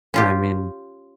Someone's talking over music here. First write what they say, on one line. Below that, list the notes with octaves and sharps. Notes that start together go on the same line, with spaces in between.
Yeah, I mean
C#4 F4 G4